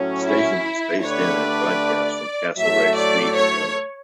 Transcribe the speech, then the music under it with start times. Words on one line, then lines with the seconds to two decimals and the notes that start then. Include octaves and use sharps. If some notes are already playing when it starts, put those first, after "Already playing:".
The station was based in and broadcast from Castlereagh Street in London.
Already playing: A2 F#3 C#4
0.24 E4
1.02 D3 A3 D4 G4 B4 C#5
1.41 D5
2.58 A2 F#3 A3 E5
2.96 D5
3.36 C#5